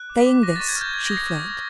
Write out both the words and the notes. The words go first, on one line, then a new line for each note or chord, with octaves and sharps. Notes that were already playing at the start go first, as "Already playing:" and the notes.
Saying this, she fled.
Already playing: F#6
D6
B6
D6
C#6 A#6
C#6 A6
G#6
F6 G6
G6 G#6
A#6
D#6